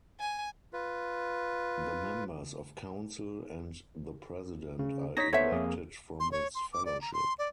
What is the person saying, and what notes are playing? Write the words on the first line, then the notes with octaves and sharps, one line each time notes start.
The members of Council and the President are elected from its Fellowship.
G#5
F4 B4
C#3
D#4 C#5 A#6 B6
B3 A4 C5 C#5 E5
F2 A#3 G#4
C6
C#5
C6
D6
D5
A#5
C6
D5